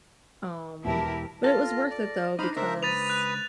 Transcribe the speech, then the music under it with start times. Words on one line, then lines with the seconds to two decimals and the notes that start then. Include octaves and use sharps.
Um, but it was worth it though, because
0.85 E1 B2 E4 G4 A#4 A5
1.44 F4 A4 A#6
1.91 D5
2.39 D4 D#4 C5 B5 F6
2.56 C#2 D4 A#4 C5 E5
2.83 B4 D#6 A6 D#7 F7
3.10 F#6